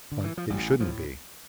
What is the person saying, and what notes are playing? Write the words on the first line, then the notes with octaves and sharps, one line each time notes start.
But it shouldn't be.
D3
E3
F3
A1 G3
A2 F3